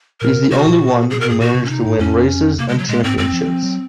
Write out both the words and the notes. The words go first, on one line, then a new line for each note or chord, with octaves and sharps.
He's the only one who managed to win races and championships.
A#2 A#4
C#3
C3 F#4
A#2
G#4
A#4
G#2 G#4
A#2 F#4
C3
C#4
C3 D#4
G#2
F2 C#4
C3 A#3
G#3
C#3 F#3
A#2 G#3
G#2 C4
F#2 C4
F3
F3
F#3